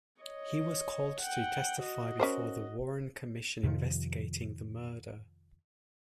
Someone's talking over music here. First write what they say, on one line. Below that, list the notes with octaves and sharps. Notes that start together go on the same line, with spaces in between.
He was called to testify before the Warren Commission investigating the murder.
C#5 D#5
F#5 G5
F#4 D#5
C#4 A#4 C5
F2 C3 D#3 F3